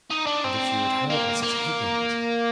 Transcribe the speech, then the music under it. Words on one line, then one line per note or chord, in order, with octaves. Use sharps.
And if you had heard Mrs. Higgins!
D#4
D4
C4
A#3
A#3